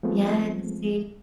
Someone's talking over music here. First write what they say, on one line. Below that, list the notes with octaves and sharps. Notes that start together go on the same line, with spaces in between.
Yes, see, uh,
F3 G#3 A3 B3 C4